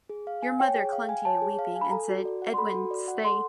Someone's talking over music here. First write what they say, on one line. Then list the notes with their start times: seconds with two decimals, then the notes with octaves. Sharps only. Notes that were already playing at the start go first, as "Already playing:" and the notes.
Your mother clung to you weeping, and said, 'Edwin, stay!'
0.09 G#4
0.27 F5
0.42 G#5
0.59 C#5 G5
0.76 G#4
0.92 F5
1.09 G#5
1.25 C#5 A5
1.42 G#4
1.59 F5
1.75 G#5
1.81 B5
1.91 A4 A#5
2.09 F#4
2.25 D5
2.42 F#5
2.54 C6
2.58 A4 B5
2.74 F#4
2.91 D5
3.08 F#5
3.24 A4 C6